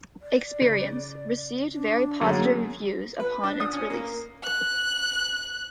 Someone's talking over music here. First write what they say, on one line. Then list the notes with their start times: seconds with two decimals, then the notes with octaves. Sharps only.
"Experience" received very positive reviews upon its release.
0.22 D5
0.61 C#3
1.72 D4
2.21 F#2 D3 F#3 A#3 G#4
3.20 B4
3.44 D4
3.60 D#6
3.73 C#4
3.90 A#3
4.43 F#6